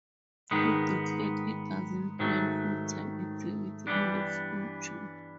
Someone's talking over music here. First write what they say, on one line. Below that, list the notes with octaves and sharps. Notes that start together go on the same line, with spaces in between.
He declared he doesn't plan full-time activity in the future.
G#2 D#3 G#3 B3
G#2 D#3 F#3 A3
G2 E3 G3 B3 D4